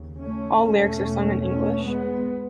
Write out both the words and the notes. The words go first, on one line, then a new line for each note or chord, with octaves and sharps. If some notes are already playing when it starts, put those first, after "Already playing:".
All lyrics are sung in English.
Already playing: D#2 C#3
A3 C#4
E2 B2 A3 C#4
A3 C#4
G#3 B3